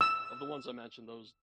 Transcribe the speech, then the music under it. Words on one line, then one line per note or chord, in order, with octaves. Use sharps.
of the ones I mentioned, those
E6